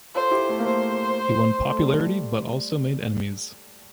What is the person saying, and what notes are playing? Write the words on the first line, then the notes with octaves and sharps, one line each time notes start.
He won popularity but also made enemies.
F4 A4 C5
E4 G4
A3
A#3
A3 C5
A3
G3
A3